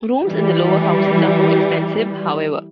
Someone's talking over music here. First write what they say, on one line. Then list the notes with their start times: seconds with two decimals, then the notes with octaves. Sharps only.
Rooms in the Lower Houses are more expensive, however.
0.22 E3 G3